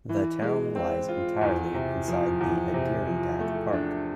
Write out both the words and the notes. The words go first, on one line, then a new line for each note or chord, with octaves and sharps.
The town lies entirely inside the Adirondack Park.
E3
G#3
C4
F4
E2
C3
F3
E2
C3
F3
A3
D4